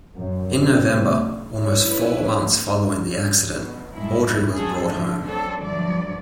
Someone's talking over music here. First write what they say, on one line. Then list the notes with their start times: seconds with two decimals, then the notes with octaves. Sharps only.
In November, almost four months following the accident, Audrey was brought home.
0.15 F#2
0.60 C3
1.61 E4 B4 C#5
3.51 B2
3.93 F#2 A2 G3 G#3 E4
4.55 F#3 G#4 A4
4.85 D3 F3 A3
5.22 F#3 C4 D4 A4
5.62 D2 G2 D3 F3 F#3 D5